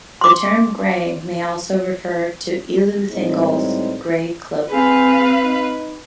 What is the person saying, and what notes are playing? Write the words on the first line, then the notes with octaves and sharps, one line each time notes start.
The term "grey" may also refer to Elu Thingol's grey cloak.
C6 D6
A2 G3 G#3 C4 D#4 C5
C4 G#4 B4 F5
D#4